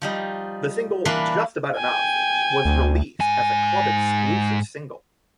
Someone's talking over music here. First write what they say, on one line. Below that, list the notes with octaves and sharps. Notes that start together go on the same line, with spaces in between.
The single "Just About Enough" was released as a club-exclusive single.
F3 G3 D#4
E3 A#3 D4 B4 C6
G5 G#5
D2
G#2 G#5